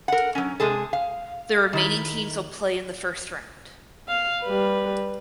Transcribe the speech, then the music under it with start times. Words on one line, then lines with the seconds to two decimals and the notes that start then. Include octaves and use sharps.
The remaining teams will play in the first round.
0.08 A#4 F#5
0.35 F#3 C#4
0.60 C3 G#3 G#4 A4
0.93 F5
1.73 D#3 E4
4.08 F5
4.43 G3 B4